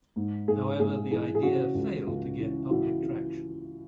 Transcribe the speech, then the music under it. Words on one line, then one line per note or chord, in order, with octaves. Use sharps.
However, the idea failed to get public traction.
G#2
G#2 G#4
G#2 G#4
E3 G#4
G#4
C#3 F#4
C#2
C#2
E3
E3 F#4
E3